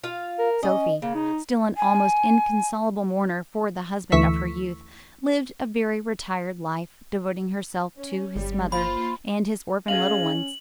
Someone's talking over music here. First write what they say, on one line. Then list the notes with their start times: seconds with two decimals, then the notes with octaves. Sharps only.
Sophie, still an almost inconsolable mourner for the husband of her youth, lived a very retired life, devoting herself to his mother and his orphaned little ones.
0.04 F4 F5
0.39 A#4
0.63 C#4 D#5
1.02 C#3 A#3
1.15 D#4
1.77 G#5
4.12 D2 E3 A3 C#6 E6 B6
7.97 C#4
8.36 G1 G3
8.72 A#3 F4 C5 B5
9.88 C#4 G#4 D#5 F5 F#7